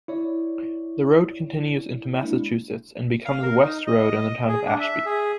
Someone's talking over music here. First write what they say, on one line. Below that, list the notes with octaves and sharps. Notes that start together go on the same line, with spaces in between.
The road continues into Massachusetts and becomes West Road in the town of Ashby.
E4 C#5 D5
G#3 A#3 D4 E4
F5
A#4
D#4
D#5
G#4
D4
E5
G#4